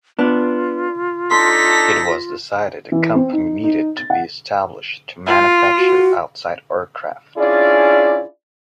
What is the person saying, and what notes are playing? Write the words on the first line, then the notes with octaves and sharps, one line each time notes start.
It was decided a company needed to be established to manufacture outsized aircraft.
B3 D4 F4
D4 D#4 A4 C6 A#6 B6
E3
C4
D#4
D#4
A6
F#5
F4
F#4
C#4 D4 E4 F4 G#4 D5